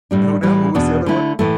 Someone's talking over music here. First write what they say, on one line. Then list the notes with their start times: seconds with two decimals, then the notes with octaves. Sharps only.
And who now? Who was the other one?
0.11 A2 G3 D4
0.43 A2 E3 G3
0.75 E2 B2 B3 D4
1.06 D3 A3 E4
1.39 A2 E3 A3